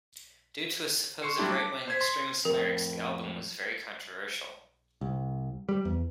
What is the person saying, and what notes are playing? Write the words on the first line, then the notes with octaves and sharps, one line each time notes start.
Due to supposed right-wing extremist lyrics, the album was very controversial.
C6 C#6 C7 C#7
F#3 G3 A3 D4 E4 G4
A5 D6
C5 G#6 B6
C6
F2 A2 A#4
C2
G3
E2